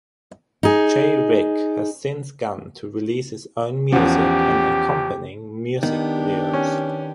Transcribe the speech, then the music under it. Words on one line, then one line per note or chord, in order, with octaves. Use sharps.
J Rick has since gone to release his own music and accompanying music videos.
D#4 G#4
E2 F3 C#4 G4 F#5
D#3 B3 D4 G4
C#4